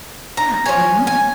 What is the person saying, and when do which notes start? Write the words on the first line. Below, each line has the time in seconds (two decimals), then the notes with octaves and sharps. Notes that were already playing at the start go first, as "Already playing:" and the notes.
Yeah. Mhm.
0.37 A#5
0.66 F3 A#3 C#4 G#5
1.07 G#5